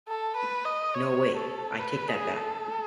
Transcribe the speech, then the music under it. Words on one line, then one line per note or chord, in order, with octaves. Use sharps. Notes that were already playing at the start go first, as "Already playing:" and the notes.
No, wait: I take that back.
A4
B4
D#5
C#5
A4
B4
G#4
A4